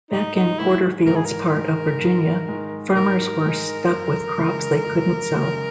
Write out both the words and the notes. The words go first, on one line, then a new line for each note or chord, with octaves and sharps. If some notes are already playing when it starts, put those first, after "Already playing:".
Back in Porterfield's part of Virginia, farmers were stuck with crops they couldn't sell.
G#2 D#4
D#4
D#3 G#3 E4
G#2 A#4
G#4
A#4
D#3 G#3
G#2
D#3 G#3
G#2 A#4
D#3 G#3
F#2
C#3 G#3
F#2
C#3 G#3